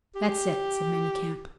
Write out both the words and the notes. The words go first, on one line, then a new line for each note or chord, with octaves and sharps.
"That's it," said Manicamp.
G4